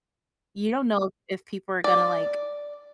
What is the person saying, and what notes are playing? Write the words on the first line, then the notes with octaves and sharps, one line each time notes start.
You don't know if people are gonna, like,
D5